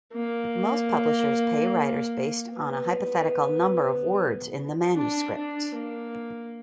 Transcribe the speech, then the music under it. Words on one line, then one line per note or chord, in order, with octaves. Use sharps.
Most publishers pay writers based on a hypothetical number of words in the manuscript.
A#3
B3
D4
D4
A#3